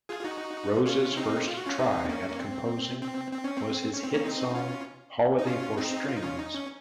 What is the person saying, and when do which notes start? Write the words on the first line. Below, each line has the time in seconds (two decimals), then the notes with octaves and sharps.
Rose's first try at composing was his hit song "Holiday for Strings".
0.09 F4 G#4
0.20 F4
0.24 D#4 F#4
0.86 C#4 F4
1.12 C#4
1.17 C4 D#4
1.47 F4
1.57 F#4
1.67 C#4 F4
1.78 C4 D#4
2.09 A#3 C#4
2.30 A#3
2.39 C4
3.01 C4
3.32 C4
3.44 C#4
3.57 C4
3.94 C#4
4.04 C4
4.13 A#3 C#4
4.24 C4 D#4
4.55 C#4 F4
5.39 D#4
5.47 C#4 F4
5.77 C4 D#4
6.08 F4
6.16 D#4
6.23 C#4 F4
6.39 D#4
6.53 C#4